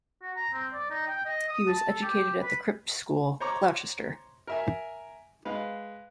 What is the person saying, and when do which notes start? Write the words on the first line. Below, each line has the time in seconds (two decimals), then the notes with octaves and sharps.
He was educated at The Crypt School, Gloucester.
0.22 F#4
0.36 A#5
0.53 C4
0.73 D5
0.90 D#4
1.07 G5
1.25 D#5
1.48 D#6
1.67 A5
1.89 A4
2.02 G4
2.42 B4
3.40 C5 C#5 A#5 C#6 D6
4.47 A#4 E5 G#5
5.45 G#3 B4 F5